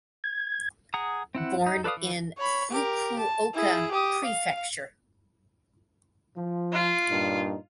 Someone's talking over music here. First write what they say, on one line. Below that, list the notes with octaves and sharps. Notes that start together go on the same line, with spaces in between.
Born in Fukuoka prefecture.
G#6
G#4 F#5 A#5 D#6
C4 E4 F#5
D#4
A4 B4 D5 F5 D#6
E3
C#5 B5
G4 A#4
A5
E4 G#4
G4 D#6
F5
F3
F4
G2 A#2 D#4